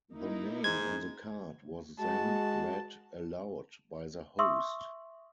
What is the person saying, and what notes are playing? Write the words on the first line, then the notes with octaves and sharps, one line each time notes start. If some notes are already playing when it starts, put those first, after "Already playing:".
The name on the card was then read aloud by the host.
A#3 D#4 E4
G#2 G#6
G#3 F#4 A5
E5 C6 C#6 D#6 E6